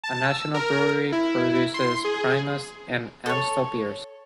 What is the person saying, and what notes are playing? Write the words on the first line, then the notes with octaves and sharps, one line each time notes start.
A national brewery produces Primus and Amstel beers.
A5
E6
A#4
E4
C6
G#4
A4 C#5